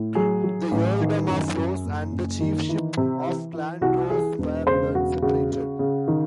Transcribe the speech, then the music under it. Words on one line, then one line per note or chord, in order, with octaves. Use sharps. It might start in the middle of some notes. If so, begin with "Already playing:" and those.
The earldom of Ross and the chiefship of Clan Ross were then separated.
Already playing: A2
F#3 G#4
F#3
A1
D#3
F#2
F#2
F#1
F#1
D#3
E3
C3
E3
E3
C2 F#4
E3 G#4
E1
C#3 C5
E1 F#4
C#3 F#4
C#3
C#3
D#3